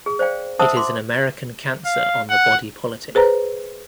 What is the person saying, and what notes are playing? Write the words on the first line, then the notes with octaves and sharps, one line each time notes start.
It is an American cancer on the body politic.
G#4
C5 D5 F5 G5
C5 E5 F#5 A5 D#6 E6
C6 D6
F5
F#5
G#4 B4 C5 A#5